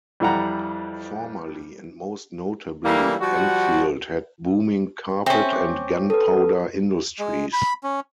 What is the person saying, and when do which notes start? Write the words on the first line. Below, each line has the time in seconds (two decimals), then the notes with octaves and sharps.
Formerly and most notably, Enfield had booming carpet and gunpowder industries.
0.20 F2 E3 G3 F#5 A#5
2.85 E3 G3 A3 A#3
3.21 F3 G3 F#4
5.26 C4 C#4 E5
5.53 D6
6.10 A4 B4
7.19 G#3
7.53 B5
7.84 C#4